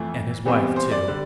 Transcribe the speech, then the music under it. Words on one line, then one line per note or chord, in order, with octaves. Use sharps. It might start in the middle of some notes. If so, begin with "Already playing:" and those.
And his wife, too....
Already playing: F2 E3 A3
E2 E3 G3 C4
C5
D5
D3 G3